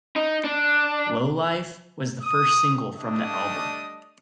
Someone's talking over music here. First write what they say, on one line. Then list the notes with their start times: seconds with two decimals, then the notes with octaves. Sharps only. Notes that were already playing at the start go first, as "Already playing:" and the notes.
"Low Life" was the first single from the album.
0.16 D#4
0.44 D4
2.22 D#6
2.96 G3 A3 D4 D#5 A5 D#6